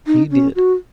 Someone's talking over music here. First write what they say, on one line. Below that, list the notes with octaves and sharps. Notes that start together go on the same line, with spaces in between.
He did.
D#4
C#4
F#4